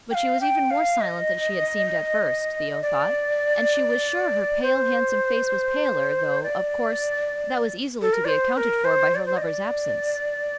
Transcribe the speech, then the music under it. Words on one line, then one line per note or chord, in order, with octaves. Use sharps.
But she was even more silent than she had seemed at first, Theo thought, and she was sure her pale, handsome face was paler, though, of course, that was easily to be accounted for by her lover's absence.
G5
F5
G5
F5
D#5
D5
C5
D5
A4
A#4
D5
C5
C5
A#4
C5
D5
C5
D#5
D5